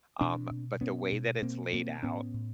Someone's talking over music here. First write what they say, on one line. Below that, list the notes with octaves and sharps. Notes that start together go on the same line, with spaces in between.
um, but the way that it's laid out
B2 C4 D4
B2
B2 B3 C#4
B2
B2 A#3 C4
B2 A#3 C4
A2 B3 C#4
A2